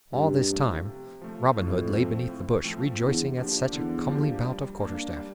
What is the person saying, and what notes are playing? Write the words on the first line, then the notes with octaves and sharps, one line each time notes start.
All this time Robin Hood lay beneath the bush, rejoicing at such a comely bout of quarterstaff.
G2 C3
F3 A3
C3
F3 A3
F2 A2
F3 A3 C4
A2
F3 A3 C4
E2 D3
F3 A#3 D4 G4
E2 D3
F3 A#3 D4 G4
G3
A#3 D4
G3